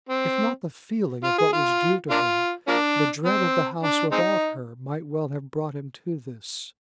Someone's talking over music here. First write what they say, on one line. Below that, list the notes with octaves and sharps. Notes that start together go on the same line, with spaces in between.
If not the feeling of what was due to her, the dread of the house without her might well have brought him to this.
C4
F4
G#4
F4
A#3 D4 F4
F3 A#3 D4
C4
D4
G#3 C4 D#4